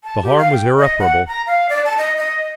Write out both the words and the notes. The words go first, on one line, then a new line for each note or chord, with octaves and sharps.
The harm was irreparable.
A5
G4
F5
G5
D#5
F#5
A#5
F5
D5
A5
D#5
D#5